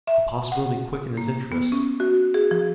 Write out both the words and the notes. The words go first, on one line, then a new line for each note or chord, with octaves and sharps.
The possibility quickened his interest.
E5
F#5
A#3
B3
C#4
F#4
G#4
F3